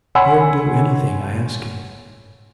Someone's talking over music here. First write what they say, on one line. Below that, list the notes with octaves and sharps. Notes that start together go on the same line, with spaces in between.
He'll do anything I ask him.'
C#5 F#5 G#5 B5 C6 E6